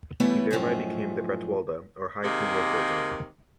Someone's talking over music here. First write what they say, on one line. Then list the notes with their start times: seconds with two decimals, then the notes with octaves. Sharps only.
He thereby became the Bretwalda, or high king of Britain.
0.20 E3 G3 A3 B3 B4 C#5
0.51 F#2 A2 F3 A3 D#4 G#4
2.24 C3 D#3 G#3 A#3